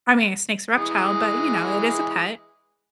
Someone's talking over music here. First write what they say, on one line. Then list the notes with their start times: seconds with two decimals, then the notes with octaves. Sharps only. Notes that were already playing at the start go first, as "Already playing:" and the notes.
I mean, a snake's a reptile, but, you know, it is a pet,
0.75 E3 G#3 D#6